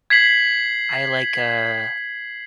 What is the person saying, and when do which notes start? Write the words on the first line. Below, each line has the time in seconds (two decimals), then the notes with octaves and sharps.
I like, uh,
0.10 G#6 B6 C7 F#7